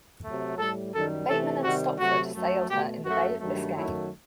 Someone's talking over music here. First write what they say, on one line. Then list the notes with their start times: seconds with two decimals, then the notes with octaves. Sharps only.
Bateman and Stopford sailed her in the Bay of Biscay.
0.23 C3 F#3 A3
0.58 A2 G3 A4
0.94 F#2 D#3 G3 A4
1.29 C3 E3 A3 A4
1.64 C3 D#3 G3 F#4
1.99 C3 F#3 A3 F#4
2.34 F#2 F#3 A3
2.69 B2 A3 G4
3.04 F#2 F#3 A3 F#4
3.40 G2 D#3 F#3 A3
3.75 F#2 D#3 F#3 A3 E4